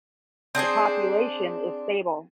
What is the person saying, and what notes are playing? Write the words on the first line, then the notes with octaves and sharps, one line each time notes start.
The population is stable.
C4 D4 G#4 C5